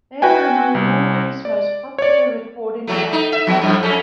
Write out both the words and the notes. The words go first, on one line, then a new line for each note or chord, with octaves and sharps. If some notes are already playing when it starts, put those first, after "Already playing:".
They are among Norway's most popular recording artists.
F#4 B4 G5 G#5
C2
D5
C#5 D5
E2 F#3 A3
A3 D#4
E5
F3 B3
F#2 A2 F3
F2 C#4 A4